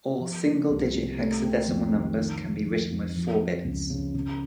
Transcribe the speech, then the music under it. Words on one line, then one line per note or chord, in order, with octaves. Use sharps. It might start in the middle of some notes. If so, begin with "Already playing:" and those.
All single digit hexadecimal numbers can be written with four bits.
F3
A#3
C2
C3
A3
C4
F2
D#3
D#3
F1
F1
F2
F3
C4
C#2
C#3
C#3